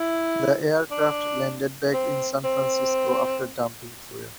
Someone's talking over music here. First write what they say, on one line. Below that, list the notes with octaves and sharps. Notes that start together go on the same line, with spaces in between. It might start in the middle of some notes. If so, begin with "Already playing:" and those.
The aircraft landed back in San Francisco after dumping fuel.
Already playing: E4
D4
C4
C4